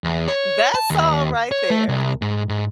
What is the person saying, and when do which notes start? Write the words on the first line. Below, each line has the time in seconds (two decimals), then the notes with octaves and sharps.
That song right there
0.04 E2
0.28 C#5
0.75 A5
0.90 D#2
1.52 C#5
1.70 A3
1.89 C2
2.22 G#2
2.49 G#2